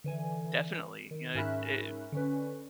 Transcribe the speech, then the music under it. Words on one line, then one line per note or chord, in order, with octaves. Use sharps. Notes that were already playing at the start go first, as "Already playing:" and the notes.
Definitely. You know, it it
D3 E3 G#5
D#3
G#2 C#4 A#4 E5 B5 F#6
D3 C#4 B4